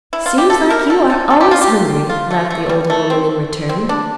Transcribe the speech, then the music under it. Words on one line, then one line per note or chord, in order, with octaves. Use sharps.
"Seems like you are always hungry," laughed the older woman, in return.
E4
F4
G4
A4
A#4
A4
A4
A4
G4
F4
G4
F4
A3
A3
G3
A3
C4
C4
D4